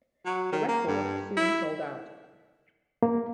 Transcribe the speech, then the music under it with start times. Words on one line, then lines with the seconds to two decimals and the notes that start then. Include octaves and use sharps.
The record soon sold out.
0.25 F#3
0.52 D#3
0.69 A#3
0.87 G2
1.37 E4
3.03 A#3